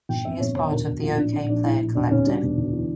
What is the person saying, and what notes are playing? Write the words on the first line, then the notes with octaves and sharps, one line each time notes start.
She is part of the Okayplayer collective.
G1 G5
F2 E5
G1 C#5
E1 C#5
D2 A#4
E1
A#1 F4
A2 D4
A#1 D4
A#1 D4
A2 E4
A#1
E1 D4
D2 C#4
G3 D4
E1
D2
E3